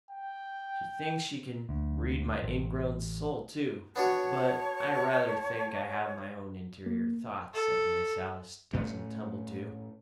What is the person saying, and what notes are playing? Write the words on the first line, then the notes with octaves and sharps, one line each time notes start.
She thinks she can read my ingrown soul too--but I rather think I have my own interior thoughts that Miss Alice doesn't tumble to.
G5
D2
A1
B3 D4 F#4 C#5 A5
A#3
A4
A2 A3 C#4